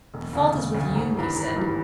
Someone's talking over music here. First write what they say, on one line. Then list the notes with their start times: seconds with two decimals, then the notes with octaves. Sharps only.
"The fault is with you," he said.
0.14 E1
0.33 D2 C#3
0.54 E1
0.75 D2 C#3
0.95 G#1
1.16 G2 E3 G3
1.36 G#1
1.56 G2 E3 G3